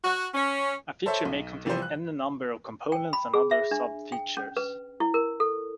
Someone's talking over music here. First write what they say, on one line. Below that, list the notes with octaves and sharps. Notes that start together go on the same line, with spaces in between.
A feature may contain any number of components and other sub-features.
F#4
C#4
A4 C5 C#5 E5
B1
C3 E3 F3 G3 C5
F#6
G5
B5
G#4
E5
D4
G5
C#4
B4
E4
A#4
A4